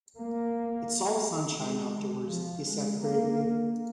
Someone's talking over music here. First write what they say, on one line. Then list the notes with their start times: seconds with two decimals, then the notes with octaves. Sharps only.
"It's all sunshine outdoors," he said gravely.
0.16 A#3
1.57 G#3
2.28 F3
2.64 G#3
2.98 A#3